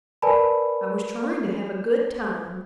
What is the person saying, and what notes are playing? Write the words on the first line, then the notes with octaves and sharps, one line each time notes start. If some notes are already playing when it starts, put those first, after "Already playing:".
I was trying to have a good time.
A#4 B4 D5 G#5 A5 B5